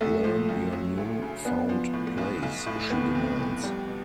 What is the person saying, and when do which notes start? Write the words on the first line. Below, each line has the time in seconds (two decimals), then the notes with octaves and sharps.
"Learn your new-found place," she demands.
0.01 C2 A3
0.24 F3
0.49 C2
0.73 F#3
0.98 D2
1.22 C#3
1.45 B3 D4
1.69 F3
1.93 A2
2.18 B1
2.43 B1
2.66 A2
2.90 F2 B3
3.15 F2
3.40 F2
3.64 G3
3.88 B2